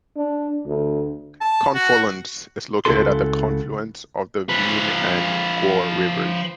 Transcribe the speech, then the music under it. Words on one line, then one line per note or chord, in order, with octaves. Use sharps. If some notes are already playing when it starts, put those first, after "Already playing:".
Confolens is located at the confluence of the Vienne and Goire rivers.
D4
D2
A5
F#4
C#2 C#3 E4 F#4 A4 C6
F3 B4